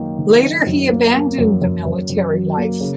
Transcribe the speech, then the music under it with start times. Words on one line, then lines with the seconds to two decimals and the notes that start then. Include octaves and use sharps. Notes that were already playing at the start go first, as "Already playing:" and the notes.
Later he abandoned the military life.
Already playing: F#2 D#3 A#3 D#4
0.19 D#3
0.42 D#4
0.66 F#2
0.90 A#3
1.14 A#3
1.38 F#2
1.62 F#2
1.85 F#2
2.10 F#2
2.33 F#3
2.57 A#3
2.81 C#3